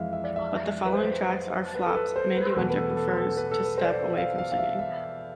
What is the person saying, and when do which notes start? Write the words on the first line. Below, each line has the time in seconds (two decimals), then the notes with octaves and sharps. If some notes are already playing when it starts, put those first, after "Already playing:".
But the following tracks are flops, Mandy Winter prefers to step away from singing.
Already playing: F2 E3 G#3 E5 F5
0.13 E5
0.24 D5
0.36 E5
0.85 B4
0.94 C5
1.75 B4
1.86 A4
1.95 B4
2.16 C5
2.36 B4
2.56 E2 B2 A3 B4
2.70 B4
2.77 A4
2.91 B4
2.97 A4
3.17 A4
3.37 B4
3.51 A4
3.64 B4
3.78 C5
3.85 D5
3.91 C5
4.18 F5
4.38 F5
4.52 F5
4.58 E5
4.79 E5